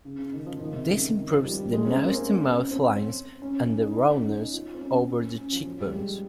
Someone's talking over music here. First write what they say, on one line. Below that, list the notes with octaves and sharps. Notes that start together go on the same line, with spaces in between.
This improves the nose-to-mouth lines and the roundness over the cheekbones.
C#3
C#3
D#3
F3
D#3
C3
C#3
D#3
F3
G3
G#3
C#4
C4
A#3
C#4
C#4
C4
C#4
D#4
D#4
D#4
C#4
D#4
F4
C4
C#4
C#4
F3
F3
G3
G#3